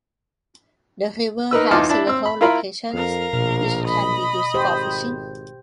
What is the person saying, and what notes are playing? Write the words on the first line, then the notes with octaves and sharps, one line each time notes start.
The river has several locations which can be used for fishing.
D#4 A#4 B4 E6
E2 D#4 F4 A5 D6 F6
D4 E4 A5 B5
C4 E6
B5
E4 F4 A#4 F5 A#5 B5
F2 A#4 F5
A#1 B2
D#5 B5
G#1 G4 C5